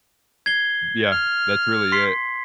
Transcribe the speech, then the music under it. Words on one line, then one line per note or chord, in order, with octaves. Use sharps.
Yeah, that's really it.
G#6 C7 G7
F6
C6 B6 C7